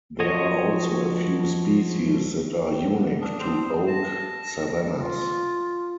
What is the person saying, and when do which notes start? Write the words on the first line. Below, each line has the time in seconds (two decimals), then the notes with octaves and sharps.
There are also a few species that are unique to oak savannas.
0.20 F3 F#4 C#5 D#5
2.68 G5
2.92 F#5
3.21 D4 D#6
3.39 C4 C5
3.88 A5 A#6
4.96 F4